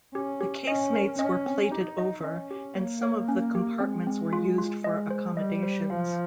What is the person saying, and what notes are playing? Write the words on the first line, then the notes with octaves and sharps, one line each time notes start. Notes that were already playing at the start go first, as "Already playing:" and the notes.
The casemates were plated over and some of the compartments were used for accommodations.
C#4 G4
G4
C#4 D#5
A#4
C#4 D#5
C4
D#4 G4
D#5
C#4 D#5
G4
A#3 C#5
C#5
C#4
G4
G#3 C4
C4
F4
F4
G#3 D#5
C5
G3 D#5
C5
F3 F5